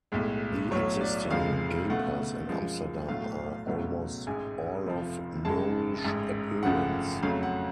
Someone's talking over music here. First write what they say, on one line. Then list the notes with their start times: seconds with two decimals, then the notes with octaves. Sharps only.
The existing gapers in Amsterdam are almost all of Moorish appearance.
0.12 B1 A2 G#3
0.71 B1 A2 F#3 C#5
1.01 D5
1.30 F1 F2 F3 G#3 F5
1.89 C#2 B2 A3 F#5
2.49 F#2 F3 G#3
3.08 B1 A2 F#3 A3 F5
3.67 C#2 B2 F#3 A3
4.27 A1 G#2 G#3 G#5
4.85 F1 F2 F3
5.45 G#1 F#2 C#3 G#3 A5
6.04 A1 G#2 G#3
6.63 G#1 F#2 C#3 F3 A3 F#5
7.22 F2 C#3 F#3 A3 F5
7.43 F#5